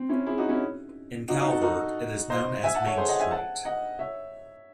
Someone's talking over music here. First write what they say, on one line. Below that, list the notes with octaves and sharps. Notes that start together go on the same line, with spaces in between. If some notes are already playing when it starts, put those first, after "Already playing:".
In Calvert, it is known as Main Street.
Already playing: C4
C#4 E4
E4 G#4
D#4 F#4
C#4 E4
D#4 F#4
D#4 F#4
F#4 A4
D#4 F#4
C5 D#5
E5 G#5
F#5 A5
A4 C#5
G#4 C5
D#5 F#5
E5 G#5
F#5 A5
D#5 F#5
C#5 E5